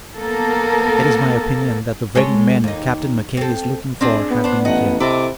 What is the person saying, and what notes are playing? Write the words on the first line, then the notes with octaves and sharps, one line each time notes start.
It is my opinion that the very men Captain McKay is looking for have been here.
A#3 B3 A4 A#4
G#3 A4 C#5
D#2 D#4
C4 A4
C4 D4 G#4
B3
D4 C5
A1 D#5 F#5
C3 E4 A4 D#5 D6